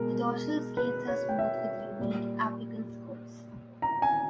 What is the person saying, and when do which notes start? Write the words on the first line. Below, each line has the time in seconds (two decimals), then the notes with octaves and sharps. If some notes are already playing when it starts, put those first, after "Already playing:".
The dorsal scales are smooth with unique apical scores.
Already playing: B2 G#3 A#4
0.77 B4
1.08 C#5
1.29 G5
1.39 E5
1.99 A#2 G3
3.82 A#5
4.02 G#5